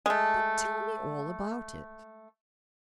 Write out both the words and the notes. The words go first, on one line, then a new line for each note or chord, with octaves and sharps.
But tell me all about it!
G#3 A3